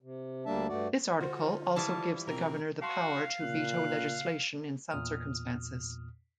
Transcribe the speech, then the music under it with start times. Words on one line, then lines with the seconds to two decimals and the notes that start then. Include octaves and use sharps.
This article also gives the governor the power to veto legislation in some circumstances.
0.02 C3
0.46 D2 G3 A#3 D4 E5 A5
0.69 G2 A3 F#4 D5
1.21 D3 F4 F#4 C5
1.76 E3 F3 G3 A5
2.27 B2 C4 A#4
2.82 F#4 F5 A5 C6 C#6
3.42 A#2 C#3 F#6
4.91 E2 A#2 D#6 F6